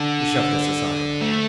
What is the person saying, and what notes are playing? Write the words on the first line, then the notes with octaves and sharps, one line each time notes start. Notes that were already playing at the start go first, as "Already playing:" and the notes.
He shoved us aside.
Already playing: D3
A3